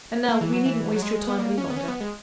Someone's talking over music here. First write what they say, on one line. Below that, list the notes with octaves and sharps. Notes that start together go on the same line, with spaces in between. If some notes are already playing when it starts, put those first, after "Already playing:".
And now, we needn't waste your time any longer.
A#3
E3
F#3
E3
F#3
G#3
B3
A#3
C#4
B3
C#4
B3
G#3